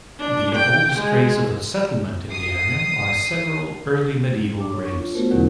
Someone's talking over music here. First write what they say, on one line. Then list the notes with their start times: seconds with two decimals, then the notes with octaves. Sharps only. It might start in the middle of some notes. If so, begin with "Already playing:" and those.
The oldest trace of a settlement in the area are several early medieval graves.
0.19 D4
0.55 G5
0.95 G#3
2.29 D#6 C7
4.59 D4 D6
4.72 C#5
4.84 C#6
4.98 F4
5.14 A3 B3 F4 F#4 A#4 C5
5.31 E2 B2 D3 F#3 C#4 E4